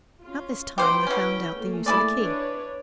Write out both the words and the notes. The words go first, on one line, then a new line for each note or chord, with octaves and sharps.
About this time I found out the use of a key.
C#4 F4
E4 G4 B4 C5 G5
B2 C#4
A3 A#3
E4 G#4 D5
D4 B4 C#5